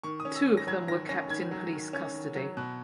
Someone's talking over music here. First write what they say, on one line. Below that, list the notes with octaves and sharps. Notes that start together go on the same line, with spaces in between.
Two of them were kept in police custody.
D#3 C#6
D#6
C#4
E6
D#3
A#6
F#3 G#6
D#3 A#6
C#4 A#6
D#3 G#6
F#3
D#3
C#4
D#3
F#3
B2 F#6